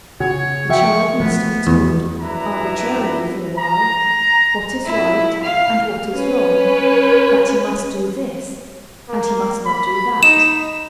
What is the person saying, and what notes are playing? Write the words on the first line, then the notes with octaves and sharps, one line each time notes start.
The child needs to be told, arbitrarily for a while, what is right, and what is wrong, that he must do this, and he must not do that.
C#3 F#4 C#5
F3 F#4 E5 G5 C#6
F3 A3 B3
E2
F#2 D4 E4 B4 A#5
A#5
E4
F5
C#4 B4
A#3
B5
D#4 E7